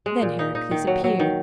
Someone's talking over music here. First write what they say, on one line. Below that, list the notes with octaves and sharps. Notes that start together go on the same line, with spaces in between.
Then Heracles appeared.
G#3
A#2
D#4
D#4
D#3
F#3
F#3
D#3